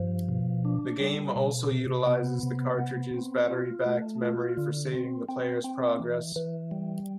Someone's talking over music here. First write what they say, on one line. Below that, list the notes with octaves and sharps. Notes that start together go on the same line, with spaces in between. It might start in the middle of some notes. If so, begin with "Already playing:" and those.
The game also utilizes the cartridge's battery-backed memory for saving the player's progress.
Already playing: G2 F3
B2
D4
G3
B2
C3
B3
C3
B3
C4
F4
A3
F4
D3
C4
C4
C4
E3
E3
G3